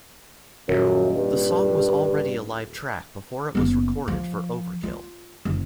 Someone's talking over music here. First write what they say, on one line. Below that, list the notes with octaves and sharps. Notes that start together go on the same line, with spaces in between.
The song was already a live track before it was recorded for "Overkill".
D#1 F#2
G2
F#1 B3
F3
F4
F#1